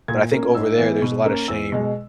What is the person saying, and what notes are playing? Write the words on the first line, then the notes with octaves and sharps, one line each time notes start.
but I think over there, there's a lotta shame
A#2 G#6
A#3 C#4
G#2 E6
E3 B3
B2
A#3 C#4
E2 E6
B2 G#3